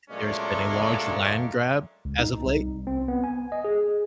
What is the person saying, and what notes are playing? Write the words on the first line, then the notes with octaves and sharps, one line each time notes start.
there's been a large land grab as of late,
A#2 F#3 G#3 A3 C#4 D4
C#2
D#4
C2
C4
B3
G#5
D#5
G#4